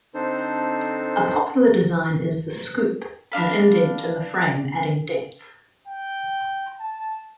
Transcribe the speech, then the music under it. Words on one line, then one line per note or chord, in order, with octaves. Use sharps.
A popular design is the scoop, an indent in the frame adding depth.
D3 C4 D4 D#4 A4 C5
D4 F5 B5
G5
A5